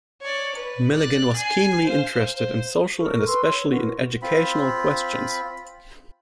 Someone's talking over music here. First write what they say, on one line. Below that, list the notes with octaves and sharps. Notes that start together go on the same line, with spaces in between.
Milligan was keenly interested in social and especially in educational questions.
C#5 D5
B4
D5 F#6
G#5 C7
C5 F5
C5
A4 A#4 C#6
B4 C6 E6
C#5 C6
E4 F#4 A#4 B4
C4 F4 B5